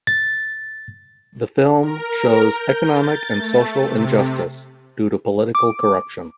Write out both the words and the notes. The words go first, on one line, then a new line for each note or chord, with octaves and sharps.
The film shows economic and social injustice due to political corruption.
A6
A#4
G6
A6
A3
C3
D6